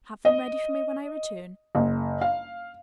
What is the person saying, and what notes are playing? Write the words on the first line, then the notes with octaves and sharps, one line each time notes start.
Have them ready for me when I return.
D#5
F#1
F5